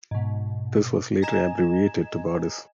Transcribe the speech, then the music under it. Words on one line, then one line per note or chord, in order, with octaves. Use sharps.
This was later abbreviated to Vardis.
G#2 B2
D#5 G#5 A#5 G#6 E7